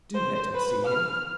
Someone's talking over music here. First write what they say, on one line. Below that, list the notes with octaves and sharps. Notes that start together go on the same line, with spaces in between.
Do let me see him.
C5
B4
F6